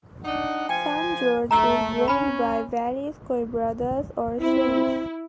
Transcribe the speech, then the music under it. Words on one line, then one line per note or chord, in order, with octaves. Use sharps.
San Jorge is drained by various "quebradas" or streams.
D4 D#4 F#5
F3 G5 G#5
A3 A#5 E6
C#4 B5
C4 E4